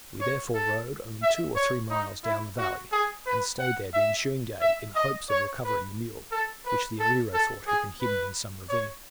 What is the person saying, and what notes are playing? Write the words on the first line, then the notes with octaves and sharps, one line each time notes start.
We therefore rode only two or three miles down the valley, and stayed there the ensuing day in hopes of recovering the mule, which the arriero thought had been hidden in some ravine.
C#5
A4
E5
C#5
D#4
E4
F#4
G#4
B4
F#5
E5
E5
D#5
C#5
B4
A4
B4
A4
A4
G#4
B4
C#5